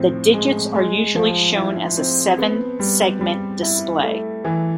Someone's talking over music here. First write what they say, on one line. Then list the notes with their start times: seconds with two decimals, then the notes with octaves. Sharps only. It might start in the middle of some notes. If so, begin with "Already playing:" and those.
The digits are usually shown as a seven-segment display.
Already playing: A2 F3 C4
0.34 G#3
0.74 G#3
1.15 F3
1.56 E4
1.97 C4
2.38 B3
2.80 G3
3.21 G3
3.62 E4
4.03 A3
4.45 E3